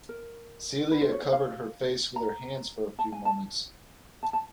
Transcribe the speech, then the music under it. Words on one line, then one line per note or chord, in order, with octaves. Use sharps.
Celia covered her face with her hands for a few moments.
A#4
B4
C5
C#5
C#5
F5
A#5
A5
G#5
A5
A5
A5